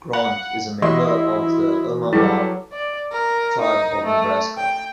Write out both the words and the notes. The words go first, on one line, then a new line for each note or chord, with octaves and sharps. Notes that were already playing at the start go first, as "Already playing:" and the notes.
Grant is a member of the Omaha tribe of Nebraska.
F5 F#5 B5
E3 E4 F#4 G4 D#5 C6
F#3 G3 E4 G#4 A4 B4
D5
A#4
D#4
A3
G5